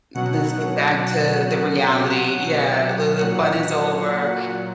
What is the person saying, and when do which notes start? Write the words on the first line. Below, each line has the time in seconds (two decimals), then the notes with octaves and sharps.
M let's get back to the reality, yeah, well, the fun is over
0.14 B2 F#3 F#5
3.17 A#2 F#3 F#5